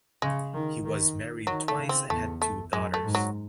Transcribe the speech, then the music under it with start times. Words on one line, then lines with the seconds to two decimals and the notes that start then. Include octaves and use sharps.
He was married twice and had two daughters.
0.22 C#3 G#3
0.54 D#3
0.84 D#3
1.47 D#3 F#3
1.68 A3
1.79 C#3
1.89 C4
2.10 E2 A3
2.42 A3
2.72 F#2 G#3
2.94 A3
3.04 G#2
3.15 F#3